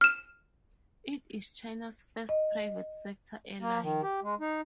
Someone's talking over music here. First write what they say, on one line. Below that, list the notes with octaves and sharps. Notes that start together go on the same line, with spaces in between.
It is China's first private sector airline.
F6 E7
D#5
A#3
D#3
G4
G#3
D#4